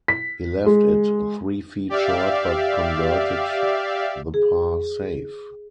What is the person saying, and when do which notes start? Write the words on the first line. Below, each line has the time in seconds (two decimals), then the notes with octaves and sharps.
He left it three feet short but converted the par save.
0.08 B6
0.66 G#3
1.89 G4 D5 E5 F5
4.34 G#4